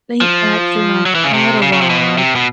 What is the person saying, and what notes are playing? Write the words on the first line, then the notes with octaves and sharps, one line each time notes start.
think back through my catalog.
F3
F#3
E3
C#3
C3
C#3
C#3
C3
B2
C3
B2